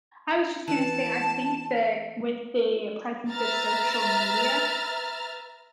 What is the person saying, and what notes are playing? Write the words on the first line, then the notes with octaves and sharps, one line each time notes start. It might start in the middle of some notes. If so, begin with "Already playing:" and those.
I was just gonna say, I think that with the presence of social media
E3 A5
B4 E5 A#5 F6 A6